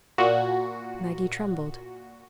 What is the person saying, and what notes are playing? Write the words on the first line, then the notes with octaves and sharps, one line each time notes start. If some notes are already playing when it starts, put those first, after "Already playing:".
Maggie trembled.
A#2 F#4